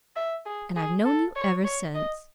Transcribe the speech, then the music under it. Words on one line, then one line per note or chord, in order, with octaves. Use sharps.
"And I've known you ever since."
E5
G#4
G#4
A4
C#5
C#5
D#5